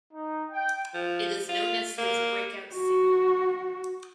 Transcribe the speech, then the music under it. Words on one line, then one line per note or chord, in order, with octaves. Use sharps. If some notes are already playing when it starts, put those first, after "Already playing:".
It is known as his breakout single.
D#4
G5
F3
F4
A#3
F#4